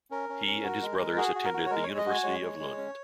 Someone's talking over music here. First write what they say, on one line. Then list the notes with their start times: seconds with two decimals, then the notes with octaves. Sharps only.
He and his brothers attended the University of Lund.
0.11 C#4 A#4
0.29 C#4
0.47 C#4
0.64 F#4
0.82 G#3
0.99 G#3
1.17 F#4 G#4
1.35 F#4
1.45 A#4
1.54 F#4
1.66 C#5
1.70 G#3 A#4
1.84 G#3 C#5
1.98 D#5
2.06 F#4 G#5
2.24 G#3 C#5
2.41 G#3
2.59 G#3
2.77 C#4